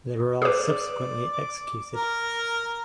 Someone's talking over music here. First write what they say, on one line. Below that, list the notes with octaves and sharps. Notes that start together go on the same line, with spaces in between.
They were all subsequently executed.
G#4 B4 D5
D6
A#4